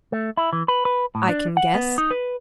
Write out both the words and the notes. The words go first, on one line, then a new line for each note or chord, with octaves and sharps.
"I can guess."
A3
E4
E3
B4
B4
A2
D4
F#5
B3
D#4
B4